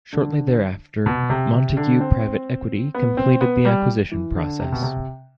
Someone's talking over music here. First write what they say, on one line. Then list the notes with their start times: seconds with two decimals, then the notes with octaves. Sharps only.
Shortly thereafter, Montague Private Equity completed the acquisition process.
0.13 D3
1.06 B2
1.30 C3
1.53 C3
1.77 D3
2.00 C4
2.95 B3
3.17 C4
3.41 B3
3.65 G3
4.12 E3
4.35 D3
4.59 C3
4.72 B2
4.82 C3